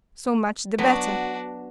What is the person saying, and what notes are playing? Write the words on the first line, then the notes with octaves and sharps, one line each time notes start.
'So much the better.'
F#3 B3 D4 F#4